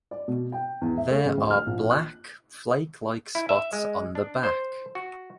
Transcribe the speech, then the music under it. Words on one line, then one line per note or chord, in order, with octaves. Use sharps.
There are black flake-like spots on the back.
D5
B2
G5
E2
E5
A3
C#3
D2
F6
A#1
F#6
E4
E5
G#3
D4
C5
F#4